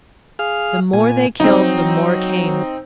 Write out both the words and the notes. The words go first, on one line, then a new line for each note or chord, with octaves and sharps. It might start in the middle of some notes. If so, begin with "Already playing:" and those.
The more they killed the more came.
G#4 F5 F6
A#2 G#5
F#3 C4 D#4